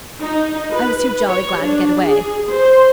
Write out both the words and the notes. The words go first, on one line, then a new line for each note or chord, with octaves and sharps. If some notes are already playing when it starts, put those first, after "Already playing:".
I was too jolly glad to get away.
D#4
B4
C#5
D4
G#4
C5